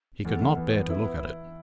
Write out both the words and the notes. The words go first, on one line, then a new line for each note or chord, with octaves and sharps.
He could not bear to look at it.
E2 A3
E2
E2 B3
E2
E4